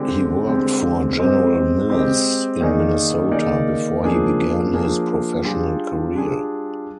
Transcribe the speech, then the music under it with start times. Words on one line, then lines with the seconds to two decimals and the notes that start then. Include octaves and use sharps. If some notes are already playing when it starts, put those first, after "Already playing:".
He worked for General Mills in Minnesota before he began his professional career.
Already playing: D3 G#3 C4 G4
0.47 D3 G#3 C4 G4
1.18 G#3 C4 G4 C5 D#5
1.89 G#3 C4 G4 C5 D#5
2.61 D#3 A#3 D#4 G#4 D5
3.31 D#3 A#3 D#4 G#4 D5
4.03 F3 A#3 D4 G#4
4.73 F3 A#3 D4 G#4
5.45 G3 D4 F4 G#4
6.15 G3 D4 F4 G#4